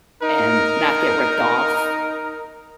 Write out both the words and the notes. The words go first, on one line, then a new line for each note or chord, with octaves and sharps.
And not get ripped off.
D#4 A#4